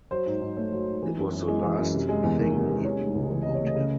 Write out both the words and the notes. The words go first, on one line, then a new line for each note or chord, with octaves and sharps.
It was the last thing he knew about him.
F#3 C5
G#2
G#2
A3 C#5
F#3
G#2
E3
F#2
F#2
G#3
E3
F#2
C3
G#3
E2
D#3
C3
G#3
C3 C#5
A3
C#2
E3
C3 D#5
C#5
A3
D#5
C#3